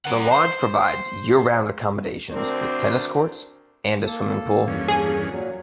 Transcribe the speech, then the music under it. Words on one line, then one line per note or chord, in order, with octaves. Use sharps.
The lodge provides year-round accommodations with tennis courts and a swimming pool.
A#4 F#5
C5
D2 C4 D4 A#4 C5
A#3 A4
E2 G2 C#4
G#4
A#2 F#3